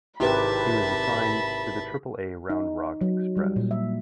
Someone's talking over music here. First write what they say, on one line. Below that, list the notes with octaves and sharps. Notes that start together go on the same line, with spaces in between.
He was assigned to the Triple-A Round Rock Express.
G#1 C3 E4 G4 B4 E5 A5 B5
D#4
F#3
G3
A#2
E5